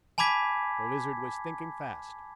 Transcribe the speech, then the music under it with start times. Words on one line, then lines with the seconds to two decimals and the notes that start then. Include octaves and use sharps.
The Lizard was thinking fast.
0.18 G#5 A5 B5 D6 G#6 B6